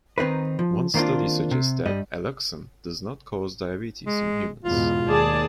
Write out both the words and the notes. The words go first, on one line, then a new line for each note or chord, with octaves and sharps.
One study suggests that alloxan does not cause diabetes in humans.
D#3 C4 D#4 B4
F3
D#3 A#3 C4 D4 F4
C3
G2 G3 D#5
G#3
E2 G#2 B2 F4
D#2 G#4 D5 A5